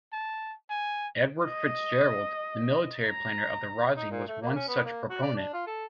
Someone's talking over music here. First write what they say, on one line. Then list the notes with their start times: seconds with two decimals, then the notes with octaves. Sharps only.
Edward Fitzgerald, the military planner of the rising was one such proponent.
0.13 A5
0.70 G#5
1.44 D#5
3.07 A#5
3.96 D#4
4.11 A#2
4.28 A3
4.42 A#3
4.56 C#4
4.68 B3
4.85 A#3
5.10 F#4
5.22 D5
5.36 D4
5.54 F4
5.67 A4